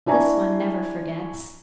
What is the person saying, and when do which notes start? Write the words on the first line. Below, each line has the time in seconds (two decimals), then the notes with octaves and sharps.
"This one never forgets!"
0.06 D4 E4 D5 G#5 A#5 C#6